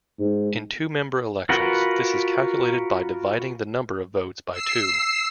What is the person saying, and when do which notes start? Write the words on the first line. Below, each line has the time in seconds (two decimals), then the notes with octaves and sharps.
In two-member elections this is calculated by dividing the number of votes by two.
0.19 G#2
1.49 F4 F#4 A#4 B4 F#5
4.52 E6 C7